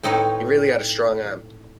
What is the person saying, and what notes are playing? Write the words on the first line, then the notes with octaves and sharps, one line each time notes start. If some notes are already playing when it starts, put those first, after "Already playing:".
He really had a strong arm.
A2 C4 D#4 B4 C#5